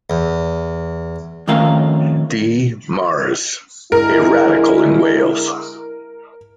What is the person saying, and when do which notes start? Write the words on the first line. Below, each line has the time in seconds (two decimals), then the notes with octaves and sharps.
D. Mares: A Radical in Wales.
0.10 E2
1.48 F2 D#3 A3 C#4 A#4 F5
3.92 D3 G#3 E4 A#4